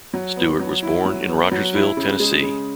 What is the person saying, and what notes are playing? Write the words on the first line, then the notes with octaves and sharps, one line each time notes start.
Stewart was born in Rogersville, Tennessee.
F#3
B3
F#3
E4
F#3
B3
F#3
E4
C#3
G#3
C#3